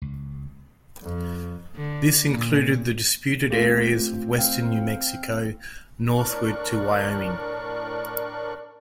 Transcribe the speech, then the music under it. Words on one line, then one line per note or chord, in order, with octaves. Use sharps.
This included the disputed areas of western New Mexico northward to Wyoming.
C#2
F2
D3
A#2
A3 C4 F4 G4
C4 F5 G5
A2 D4 A#4 D5 C#6 F#6